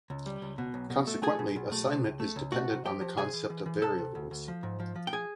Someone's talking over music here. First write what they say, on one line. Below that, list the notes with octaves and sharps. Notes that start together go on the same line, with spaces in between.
Consequently, assignment is dependent on the concept of variables.
C#2
G3
C#2
B2
B1
B2
A3
A3 G#4 G#5
B2
B1
A3
C3
C#2
A3
C#2
A3 F#4 F#5
C3
F3 G4 G5
F3
C3 G#4 G#5
E3
E3
E3
C3 A4 A5
C3
D2
D2
F3
G#2
F3
F3
G5
G#4 G#5